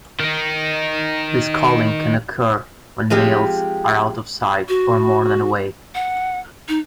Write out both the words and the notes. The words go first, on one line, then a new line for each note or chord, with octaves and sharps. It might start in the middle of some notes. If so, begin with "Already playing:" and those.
This calling can occur when males are out of sight or more than away.
D#3 D#4
F3 G#3 C4 G4
F#4
F#5
D#4